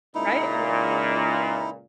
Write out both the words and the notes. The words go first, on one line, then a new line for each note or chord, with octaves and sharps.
Right? And it's like
C#2 A#2 D#4 E4